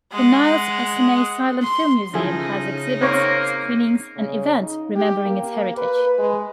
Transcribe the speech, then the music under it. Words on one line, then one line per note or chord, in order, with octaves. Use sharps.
The Niles Essanay Silent Film Museum has exhibits, screenings, and events remembering its heritage.
G#3 F#5
C6
C#3 F3 C#4 D#4 E4 G#4
A#3 C4 C#5
C#3
D#4
G4
A#3
B4
G#3